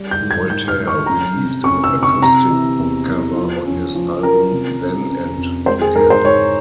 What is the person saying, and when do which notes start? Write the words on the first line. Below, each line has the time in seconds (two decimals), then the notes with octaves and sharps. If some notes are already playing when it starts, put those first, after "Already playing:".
Voltaire released an acoustic cover on his album "Then and Again".
Already playing: G3
0.11 G6
0.21 G#2
0.31 G#6
0.50 G#2 G6
0.68 F6
0.79 G#2
0.87 C#6
1.06 C#4 A#5
1.36 C3
1.64 C#4 C#6
1.84 E6
1.93 C3
2.03 C#6
2.22 C3 A#5
2.50 E3
2.79 E2
3.08 E2
3.36 F3
3.65 C#4
3.94 F3
4.23 C#4 A#4
4.52 C3
4.80 C#4
5.09 C#4
5.38 F2
5.66 G#3 C5
5.81 G#4
5.96 G#2 A#4
6.10 C5
6.24 G#2 C#5